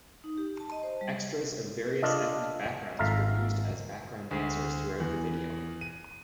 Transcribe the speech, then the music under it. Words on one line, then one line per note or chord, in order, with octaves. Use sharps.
Extras of various ethnic backgrounds were used as background dancers throughout the video.
D#4
G4
A5
D#5
C5
G3
D4 F4 A4 D#5
G#1 F4 A4 E5 F5 A#5
D2
E2
D#7